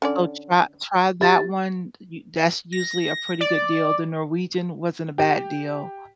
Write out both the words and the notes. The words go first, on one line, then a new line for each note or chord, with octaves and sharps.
oh, try try that one, u that's usually a pretty good deal, the Norwegian wasn't a bad deal.
D3 C#4 D5
E4 G4 A6
A#6
D5
G4